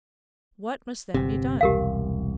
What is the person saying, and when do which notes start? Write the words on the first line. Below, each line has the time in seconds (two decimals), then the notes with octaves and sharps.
"What must then be done?"
1.14 G1 C3
1.61 E1 C2 G4 A#4 F5